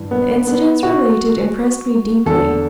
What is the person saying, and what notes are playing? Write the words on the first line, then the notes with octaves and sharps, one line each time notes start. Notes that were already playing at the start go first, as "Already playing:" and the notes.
The incidents related impressed me deeply.
Already playing: G2 E3
B3
B3
F#4
E2 D3 A4